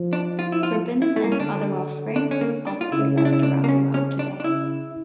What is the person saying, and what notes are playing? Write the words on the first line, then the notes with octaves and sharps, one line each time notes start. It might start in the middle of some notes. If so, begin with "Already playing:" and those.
Ribbons and other offerings are still left around the well today.
Already playing: F3
D4
F4
E4
F4
E4
A3
A#3
C#4
D3 D4
D4
C#4
A#3
D4
F4
C#3 E4
E4
D4
E4
D4
A#3
C#4
C#4
D4
D4
C#3 E4